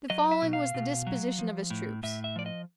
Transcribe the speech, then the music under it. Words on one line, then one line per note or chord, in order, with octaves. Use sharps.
The following was the disposition of his troops.
F#3 D#5
E5
B2
F5
B2
F#3
F3
A2
A2 E5
E5
F3 D5
D#5